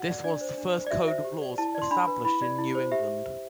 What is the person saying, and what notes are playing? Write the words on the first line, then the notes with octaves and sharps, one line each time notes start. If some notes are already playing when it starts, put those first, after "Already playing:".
This was the first code of laws established in New England.
Already playing: F#4 F#5
D5
D4 D5
C5
D4
C5
D5
F#4 E5
C5 E5
G4
D5
E4 A5
D5
C6
D4 B5
B4
E4 B5
D5
E4
C5
G4 E5